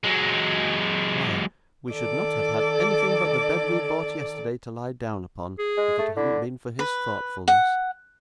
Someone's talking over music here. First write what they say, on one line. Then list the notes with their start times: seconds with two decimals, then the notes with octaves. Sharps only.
Why, we should not have had anything but the bed we bought yesterday, to lie down upon, if it hadn't been for his thoughtfulness!'
0.04 F#3 G#3
1.91 D#3 A4 D5 D6
5.59 G#4
5.78 G#3
5.98 A3
6.17 D3 E4
6.79 B4
7.48 F#5